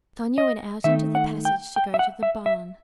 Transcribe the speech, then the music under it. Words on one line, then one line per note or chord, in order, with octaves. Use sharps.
Sonya went out into the passage to go to the barn.
D#5
D#3 A3 D#4 E5
F#5
G5
G5
E5
F#5
E5
E5